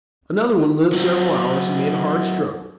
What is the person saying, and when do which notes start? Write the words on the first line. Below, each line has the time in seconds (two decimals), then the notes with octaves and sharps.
Another one lived several hours, and made a hard struggle.
0.93 F#3 C4